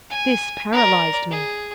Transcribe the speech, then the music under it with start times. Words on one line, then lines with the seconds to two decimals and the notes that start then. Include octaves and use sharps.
This paralysed me.
0.10 G#5
0.73 A#4 D5
1.31 G#4